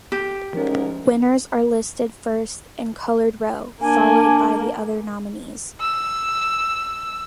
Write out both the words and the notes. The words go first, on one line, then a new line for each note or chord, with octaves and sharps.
Winners are listed first in colored row, followed by the other nominees.
G4
D2 G#2 F3 C#4 A#4
A#3 D4 G#5
E6